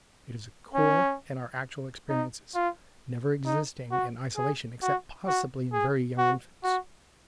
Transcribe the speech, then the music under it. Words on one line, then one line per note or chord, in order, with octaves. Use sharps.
It is a core in our actual experiences, never existing in isolation except possibly in very young infants.
C#4
D#4
F4
D#4
F#4
G#4
F#4
F#4
G#4
F#4
F#4